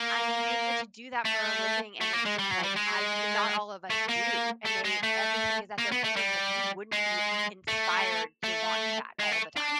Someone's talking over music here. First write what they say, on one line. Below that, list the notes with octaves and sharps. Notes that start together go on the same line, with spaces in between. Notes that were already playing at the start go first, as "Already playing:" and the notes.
I mean, they get to do that for a living, and it's just like I not all of us do, and they everything is at their fingertips. Who wouldn't be inspired to want that all the time?
Already playing: A#3
A3
A3
A#3
G#3
G3
F#3
G3
G#3
A3
A#3
A3
G#3
A3
A#3
B3
A3
G3
G#3
A3
A3
G#3
A3
D4